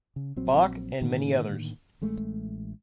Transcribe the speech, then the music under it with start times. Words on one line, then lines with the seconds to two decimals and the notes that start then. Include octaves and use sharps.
Bach, and many others.
0.16 C#3
0.36 A#1 F#3 C4
1.01 A2 D3 D#3 A#3
2.02 A1 G#3 A3